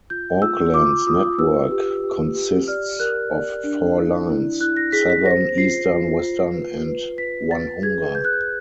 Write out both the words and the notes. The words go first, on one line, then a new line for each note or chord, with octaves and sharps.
Auckland's network consists of four lines: Southern, Eastern, Western and Onehunga.
F4 G6
F4 E6
F4 D6
F4 D#6
B4 E6
G4
G4
G4
D5 F6
A#4 F#6
D5
D4
E4
E4
E4 F#6
A#6
G#4 B6
B6
C5 A#6
F4 C7
F4
F4
B4
B4
B4 B6
B4 A6
G#4 G#6
B4 G6
F#6
G6